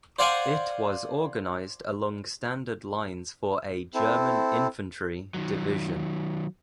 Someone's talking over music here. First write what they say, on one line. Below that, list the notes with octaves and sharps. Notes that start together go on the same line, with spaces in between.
It was organized along standard lines for a German infantry division.
C5 D5 F5 F#5 G#5
C4 E4 A4
D#3 F#3